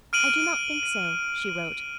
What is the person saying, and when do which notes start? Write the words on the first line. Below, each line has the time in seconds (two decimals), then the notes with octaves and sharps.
"I do not think so," she wrote.
0.13 F6 D7 D#7 F#7